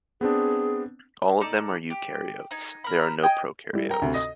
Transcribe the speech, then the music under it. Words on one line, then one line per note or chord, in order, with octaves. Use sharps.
All of them are eukaryotes, there are no prokaryotes.
B3 C4 D4 G#4
D#4 A4 D5
G4
D#4 G#5
A#4 B5
D#5 G5 G#5
G3 E4
A#4 G5 A#5
D2 C3
D#5 D#6 A#6